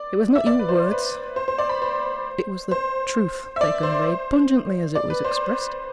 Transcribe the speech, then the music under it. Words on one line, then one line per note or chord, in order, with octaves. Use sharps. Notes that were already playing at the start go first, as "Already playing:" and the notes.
'It was not your words; it was the truth they conveyed, pungently as it was expressed.
Already playing: D5
E5
D5
B4
C5
B4
C5
C5
D5
B5
C5
C5
E5
D5
C5
D5
B4
C5